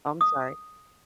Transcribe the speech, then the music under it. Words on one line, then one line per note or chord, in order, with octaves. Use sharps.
Oh, I'm sorry.
D#6